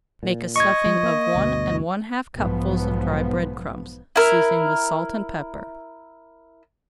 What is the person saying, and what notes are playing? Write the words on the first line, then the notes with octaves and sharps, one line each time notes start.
Make a stuffing of one and one-half cupfuls of dry bread-crumbs, seasoning with salt and pepper.
A#2
D#5 C#6 G#6
F3
A#3
G1 D2 B2
B1 G#2 F3 B3
E4 A#4